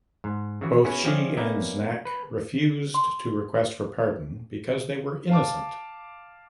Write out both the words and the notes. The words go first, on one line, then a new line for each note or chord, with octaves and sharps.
Both she and Znak refused to request for pardon because they were innocent.
G#2
C#3 E3 F#4
B3 C#4 E4 F#4 G#4
F3 C4 C#4 D5 E5 F5
A#3 B3 C#4 D#4 D5 E5
B4
C6
F5 A5 D6